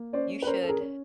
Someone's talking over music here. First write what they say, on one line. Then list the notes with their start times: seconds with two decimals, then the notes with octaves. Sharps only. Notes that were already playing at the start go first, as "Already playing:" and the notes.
You should
Already playing: A#3
0.13 C#4 C5 D5
0.42 B4
0.46 C#4 A#4 C5
0.63 A4
0.69 G#4 A#4
0.80 C#4